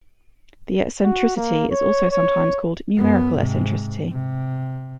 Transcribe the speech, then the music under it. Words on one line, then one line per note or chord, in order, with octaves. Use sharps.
The eccentricity is also sometimes called numerical eccentricity.
F#4
A#3
C#5
C#5
F#2 B3
G#2 C3
C3